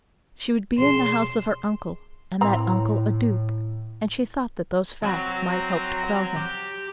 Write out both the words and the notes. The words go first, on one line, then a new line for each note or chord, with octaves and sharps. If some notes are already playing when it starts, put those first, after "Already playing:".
She would be in the house of her uncle and that uncle a duke, and she thought that those facts might help to quell him.
B2 F3 G#4 C6 E7
A2 C4 A#5
F#3 C4 F#4 A#5
G4